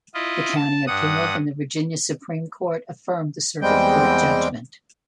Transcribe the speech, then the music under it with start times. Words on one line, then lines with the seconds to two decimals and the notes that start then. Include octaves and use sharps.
The County appealed, and the Virginia Supreme Court affirmed the Circuit Court judgment.
0.14 E4 F4 D#5
0.56 A5
0.87 G2 F#5 D#6
3.61 E2 G3 G#3 C4 G5